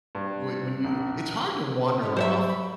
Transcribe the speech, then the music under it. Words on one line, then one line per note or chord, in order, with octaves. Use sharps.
whe when you it's hard to wander off
G2
A#1
G4 C#5
F#3 G3 C5 C#5 E5
B5